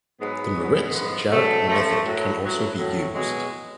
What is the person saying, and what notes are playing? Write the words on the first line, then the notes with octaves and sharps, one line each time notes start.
The Maritz-Jarrett method can also be used.
G#2 F#3 G#3 B3
G#2 F#3
F3
G#2
F#2 D3 F#3 A3
F#2 F3 A3
A2 F#3
A2 F#3
A2 F#3
B2 F#3 G#3